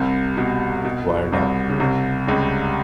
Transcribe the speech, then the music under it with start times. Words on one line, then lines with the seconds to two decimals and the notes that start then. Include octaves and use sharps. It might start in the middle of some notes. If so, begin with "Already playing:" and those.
Word up!
Already playing: C2 C3
0.37 B2
0.85 B2
1.32 C2 C3
1.70 C#3
1.80 C2 C3
2.27 C#2 C#3